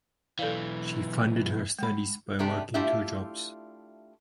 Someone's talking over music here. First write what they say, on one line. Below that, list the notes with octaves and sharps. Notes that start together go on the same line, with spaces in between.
She funded her studies by working two jobs.
B1 E3 A4 D5 F5
G#3 F#5 B5
C3 A3 B3 D4 G4
A3 D4 E4 F4 G4 E5